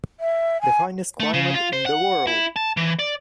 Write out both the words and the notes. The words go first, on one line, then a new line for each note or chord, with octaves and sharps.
The finest climate in the world!
E5
G#5
A3
C#3
F4
C5
F#5
E4
A5
E3
D5